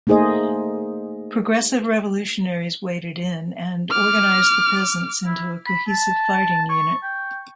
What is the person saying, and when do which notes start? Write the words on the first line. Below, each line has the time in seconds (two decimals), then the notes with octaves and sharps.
Progressive revolutionaries waded in and organized the peasants into a cohesive fighting unit.
0.07 A3 A#3 D#4 G#4 C5 D#5
3.90 D6 F6
5.26 E4
5.66 B5
5.88 A5
6.69 C#6
7.03 G5